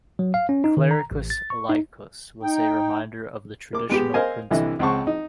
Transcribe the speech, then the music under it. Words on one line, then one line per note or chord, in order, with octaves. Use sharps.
"Clericis laicos" was a reminder of the traditional principle.
F#3
F5
C#4
D#4
D#3
A#5
A1
A6
C#6
D#4
D#4 G5
A#3 D6
G#3 B3 G4
A#4 C5 D#5 F5 G#5
C2 D3 E3 E4 D#5
C#2 C4 C5 F#5 A5 C#6
D#4